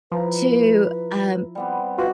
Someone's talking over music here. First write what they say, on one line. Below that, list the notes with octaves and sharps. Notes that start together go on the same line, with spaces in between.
to, um,
F3 E4 B4 A#5
G3 B3 C4
B2 F4 F#4 B4 D6